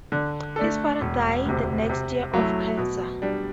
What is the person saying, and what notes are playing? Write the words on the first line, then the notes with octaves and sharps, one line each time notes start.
His father died the next year of cancer.
D3
A3 D4 A4
E1
D2 C3
C3
F#3 A3 E4
B2
G3 D4